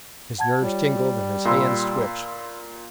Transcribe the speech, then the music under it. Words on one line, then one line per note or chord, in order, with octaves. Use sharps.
His nerves tingled and his hands twitched.
F#5 A5 G#6
G3 F4 C#5
A#2 B5 C6 E6